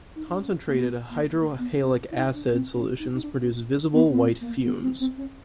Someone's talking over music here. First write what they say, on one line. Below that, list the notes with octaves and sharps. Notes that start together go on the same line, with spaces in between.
Concentrated hydrohalic acid solutions produce visible white fumes.
D#4
D4
C#4
A#3
B3
A#3
A#3
B3
C#4
E4
D#4
D4
C4
C#4
D#4
D#4
D4
C#4
B3
B3
C4
A#3
C4
B3
C4
C4
C#4